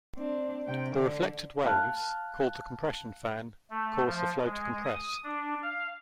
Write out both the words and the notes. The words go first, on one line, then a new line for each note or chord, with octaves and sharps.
The reflected waves, called the compression fan, cause the flow to compress.
C4 D4
C3 G5
D3 D4
F5 G5 A5 F6 F#6
A3
F3
G#3
D#6
D4
F5